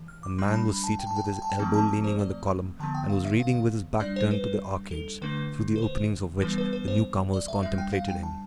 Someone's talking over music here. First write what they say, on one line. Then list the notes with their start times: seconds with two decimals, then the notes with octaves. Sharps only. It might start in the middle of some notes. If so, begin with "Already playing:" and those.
A man was seated with his elbow leaning on the column, and was reading with his back turned to the arcades, through the openings of which the new-comers contemplated him.
Already playing: E3
0.08 F6
0.23 D6
0.38 G3 D4 C6
0.48 A5
0.54 B5
0.69 B5
0.84 A5
0.99 G5
1.07 A5
1.16 G5
1.24 A5
1.33 G5
1.42 A5
1.50 G5
1.59 F3 A3 C4 A5
1.74 A5
1.89 A5
2.04 C5
2.19 D5
2.80 D3 F3 B3 A5
2.95 G5
3.10 F5
3.25 E5
3.40 F5
4.00 G3 D4 D5
4.16 C5
4.31 B4
4.91 A4
5.22 D3 A3 D4 B4
5.76 B4
5.82 C5
6.42 E3 G3 B3 D4 B4
6.58 B4
6.73 B4
6.88 C5
7.33 D5
7.48 E5
7.63 D4 E5
7.66 G3
7.78 G5
7.93 F5
8.08 G5
8.23 A5